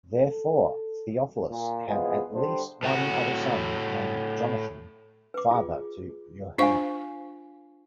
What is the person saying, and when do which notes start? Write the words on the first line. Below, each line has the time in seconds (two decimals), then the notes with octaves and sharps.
Therefore, Theophilus had at least one other son named Jonathan, father to Johanna.
0.17 A4
1.49 A#2
1.88 E2 F3 G#3 B3 F4 G#4
2.34 D3 G3 D4 G4 C5
2.83 A2 F#4
5.34 B4 D6
5.51 F4 G#4
6.58 D4 F4 C5 F5 G#5 C#6